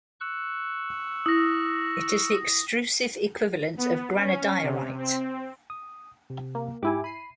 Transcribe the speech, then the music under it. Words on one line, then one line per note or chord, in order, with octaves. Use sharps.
It is the extrusive equivalent of granodiorite.
C#6 E6 F#6
E4 D#6 A#6
B3
C#4
C3
C4
D#6
C3
A#3
G#2 E4 G4 G#5 D6
B5 C7 D#7